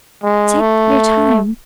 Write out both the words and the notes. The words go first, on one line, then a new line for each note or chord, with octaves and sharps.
Take your time.
G#3
A3